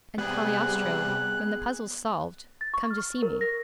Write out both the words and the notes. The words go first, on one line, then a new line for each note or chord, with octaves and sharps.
'And, Cagliostro, when the puzzle's solved, come to see me.
C3 G3 B3 G#4 F#6
A6
C#6
F6
A#4
A#6